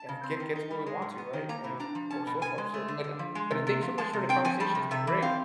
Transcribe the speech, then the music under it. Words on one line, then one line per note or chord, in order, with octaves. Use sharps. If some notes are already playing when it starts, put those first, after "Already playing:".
and get get to what we want to, right, and oh so forth. So, like, uh, but thank you so much for the conversation. It's been great.
Already playing: A5
C#3
C4
D#3
D#4
G3
G#3
G#2
B3
D#3
A#3 A#5
A2
D4 A#5
F3
C#4 A5
B2
B2 G#5
G#3
A3
D3
D3
F3
G#3
C3
C3
F3
G#3 A5
C3
C4 G5
F3 G#5
G3 A5
C3
C3 E5
E3
C4 F5